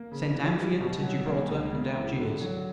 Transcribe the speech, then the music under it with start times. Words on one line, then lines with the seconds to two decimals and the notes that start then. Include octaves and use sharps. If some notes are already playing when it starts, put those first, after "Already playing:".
Sent Amphion to Gibraltar and Algiers.
Already playing: A#3
0.12 C#3
0.34 E3
0.57 G3
0.80 B2
1.03 F#3
1.26 A#3
1.49 C#2
1.72 C#3
1.95 E3
2.18 D3
2.41 F#3